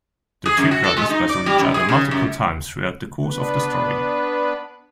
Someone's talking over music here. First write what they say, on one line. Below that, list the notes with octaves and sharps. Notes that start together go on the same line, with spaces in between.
The two brothers battle each other multiple times throughout the course of the story.
G#4
F#2
F#4
A4
G#3
D#4
D5
G3
F#2
G#4
C#3
F#2
B3 D4 B4